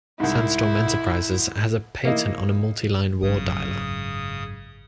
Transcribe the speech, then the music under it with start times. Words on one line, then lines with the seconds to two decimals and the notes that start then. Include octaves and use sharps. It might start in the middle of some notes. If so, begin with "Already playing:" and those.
Sandstorm Enterprises has a patent on a multi-line war dialer.
0.20 C2 G#2 E4
2.05 A#3 D#4 E4
3.22 G#1 F#2 C#3 D#6